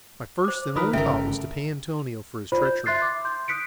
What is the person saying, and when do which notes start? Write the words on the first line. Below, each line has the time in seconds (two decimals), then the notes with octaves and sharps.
My first and only thought was to pay Antonio for his treachery.
0.44 C5 D6
0.76 D#3 F4 A#4 B4 D#6
0.93 G1 C#3 A3 A#4 E5 G5
2.52 F4 C5 D5 B5
2.65 G6
2.86 E5 C6 F#6 A6 C7
3.02 D6
3.25 C6 G6
3.48 D#6 F#6 B6 C#7 D7